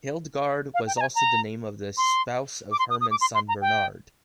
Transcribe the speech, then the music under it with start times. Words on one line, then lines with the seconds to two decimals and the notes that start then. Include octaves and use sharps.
Hildegard was also the name of the spouse of Hermann's son Bernard.
0.74 F5
0.87 G5
0.96 A#5
1.01 G#5
1.15 A#5
1.97 C6
2.72 D6
2.79 C6
2.90 D#6
3.01 D#6
3.11 D6
3.21 C6
3.35 C6
3.48 A#5
3.61 G5